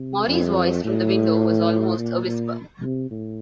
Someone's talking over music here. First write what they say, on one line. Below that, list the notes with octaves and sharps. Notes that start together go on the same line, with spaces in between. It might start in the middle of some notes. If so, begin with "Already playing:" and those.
Maury's voice from the window was almost a whisper.
Already playing: C3
F2
A2
A#2
A#2
C3
A2